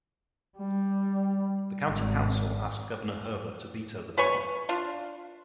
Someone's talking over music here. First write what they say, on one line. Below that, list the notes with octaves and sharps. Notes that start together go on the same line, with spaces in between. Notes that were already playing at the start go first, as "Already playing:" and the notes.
The County Council asked Governor Herbert to veto the bill.
G3
G#1
B4 C#5 G#5 C#6
D4 F4